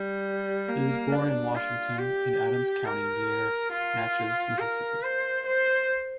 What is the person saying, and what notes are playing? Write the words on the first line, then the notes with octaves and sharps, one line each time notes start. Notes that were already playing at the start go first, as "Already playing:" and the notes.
He was born in Washington in Adams County near Natchez, Mississippi.
Already playing: G3
A#3
D4
F4
G4
A#4
F4
A#4
C5
C5